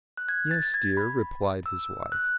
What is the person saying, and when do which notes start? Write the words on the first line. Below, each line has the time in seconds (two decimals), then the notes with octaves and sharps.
"Yes, dear," replied his wife.
0.17 F#6
0.29 G#6
0.51 A6
0.74 G#6
0.97 B5
1.66 E6
2.12 F#6